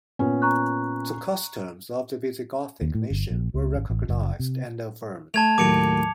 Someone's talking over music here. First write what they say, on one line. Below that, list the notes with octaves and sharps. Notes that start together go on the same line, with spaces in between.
The customs of the Visigothic nation were recognised and affirmed.
A#2 B3 C#4
A#5 C#6 F#6
D#2
A2
G1
A#1
C#2
G#1
A1
F#1
C3
A3 A5 G#6 F7
D#2 A2 F#3 D6 C#7 F7